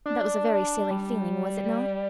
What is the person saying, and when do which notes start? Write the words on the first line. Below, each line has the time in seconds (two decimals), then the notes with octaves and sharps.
That was a very silly feeling, was it not?
0.06 D4
0.91 G3